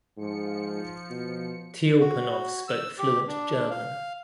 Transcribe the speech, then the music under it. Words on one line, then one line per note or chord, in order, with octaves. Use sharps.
Tiulpanov spoke fluent German.
G#2 F3 C#7
B2
F#4
E6
G4
D4
F5